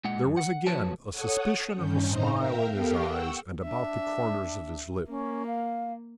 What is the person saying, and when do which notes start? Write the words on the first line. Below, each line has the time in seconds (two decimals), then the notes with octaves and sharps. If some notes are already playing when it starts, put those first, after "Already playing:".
There was again a suspicion of a smile in his eyes and about the corners of his lips.
0.04 A#2 G#3 F#5
0.25 F#2
0.37 F#5
0.67 F3 F#4 B4 C#5 A5
1.11 A4 C#5 F#5 D#6
1.74 G2 D#3 C#4 G6
2.06 A2 C4 D#4 C5 D#5 A#5
2.37 A#4 E5 F5 G5 A#5
2.73 B3 G4 A4 A#4 F5 G5
3.04 F#5 G5 C#6 E6
3.63 D4 E5
5.08 A#3 C#4
5.46 F5